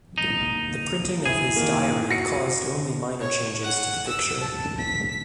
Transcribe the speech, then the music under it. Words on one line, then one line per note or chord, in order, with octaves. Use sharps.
The printing of his diary caused only minor changes to the picture...
D#4
D3 A#3
F#2 E4 G#4
D#3 A#3
F#4 A#6 C#7
C#5
F#5
E6
A5
B6